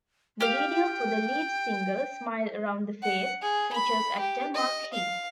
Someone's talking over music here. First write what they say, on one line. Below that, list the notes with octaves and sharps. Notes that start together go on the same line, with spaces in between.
The video for the lead single, "Smile Around the Face", features actor Mark Heap.
G4 F5 G5
F#5
G#4
B5
G4
D#5
F5